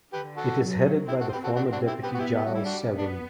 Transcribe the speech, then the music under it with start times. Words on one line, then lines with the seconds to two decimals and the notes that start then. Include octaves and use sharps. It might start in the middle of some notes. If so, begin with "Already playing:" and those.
It is headed by the former deputy Gilles Savary.
0.13 D3 G4 B4
0.37 F#4 A4
0.61 F#3
1.08 C4 E4 G4
1.21 F#4 A4
1.29 C5
1.32 G4 B4
1.44 F#4 A4
1.56 D4 F#4
1.72 D4 F#4
1.87 E4 G4
2.03 B3 G4 B4
2.14 F#4
2.19 E4 G4
2.36 G4
2.45 F#4
2.51 G3 E4
2.65 D4 F#4
2.98 B3 D4